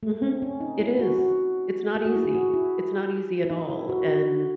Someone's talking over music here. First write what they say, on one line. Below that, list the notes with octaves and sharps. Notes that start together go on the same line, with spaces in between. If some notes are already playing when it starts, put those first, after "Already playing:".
Mhm, it is, it's not easy, it's not easy at all, and,
A3
C4
C#4
D#4
E4
F#4
F#4
G#4
F#4
E4
G#4
F#4
E4
E4
D#4
E4
F#4
F#4